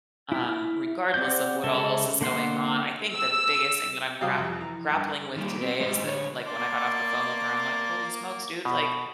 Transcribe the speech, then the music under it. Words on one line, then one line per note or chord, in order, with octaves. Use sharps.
um, regardless of what all else is going on. I think the biggest thing that I'm grapp grappling with today is that, like, when I got off the phone with her, I'm like, "Holy smokes, dude, like,
E4 F6
C4 D5 F#5 G6
C#3 G#3 A4 E5
D3 A#3 F#5 C6
E6
C3 F#3 G3 C5 F5 D#6
F2
E3 A#5
G2
D#3 G3 A#3
C4
G#3 A3 G4 C5 D#5
D3 C#5
A#3 D5 A5 C6 D6
B2